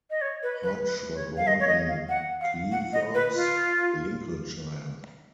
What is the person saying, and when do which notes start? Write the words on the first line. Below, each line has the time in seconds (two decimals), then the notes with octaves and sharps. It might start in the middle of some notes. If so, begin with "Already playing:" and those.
Hodge was born in Cleethorpes, Lincolnshire.
0.10 D#5
0.21 C#5
0.42 B4
0.63 B4
0.84 B4
1.14 C#5
1.36 F5
1.47 D#5
1.59 C#5
1.67 D#5
1.88 F5
2.08 F#5
2.41 F5
2.71 F#5
2.92 D#5
3.14 B4
3.34 F4